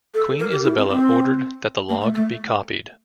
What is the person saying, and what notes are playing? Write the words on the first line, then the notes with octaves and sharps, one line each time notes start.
Queen Isabella ordered that the log be copied.
A4
A#4
G4
E4
C4
C4
A#3
A3
A3